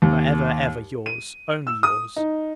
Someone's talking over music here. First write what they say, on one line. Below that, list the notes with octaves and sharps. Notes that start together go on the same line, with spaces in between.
For ever, ever, your's, only your's.
D#2
D#7
E6
D#6
D#4